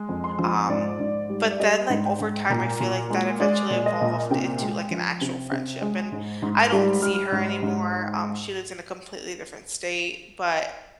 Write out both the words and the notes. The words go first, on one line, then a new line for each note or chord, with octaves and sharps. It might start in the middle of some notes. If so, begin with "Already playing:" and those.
Um, but then, like, over time, I feel like that eventually evolved into, like, an actual friendship. And I don't see her anymore; um, she lives in a completely different state, but
Already playing: G#3
F2
C6
F3
G#2 D5
G#2
G3
D5
G3 D#5
G#2
G5
G#2
A#2 A#5
A#2
G#3
G#3 D5
A#2
D#5
A#2
C3 G5
G#3
F3
C3
C3
G#3
G#2
G#2
G3
G3 F6
G#2
G#2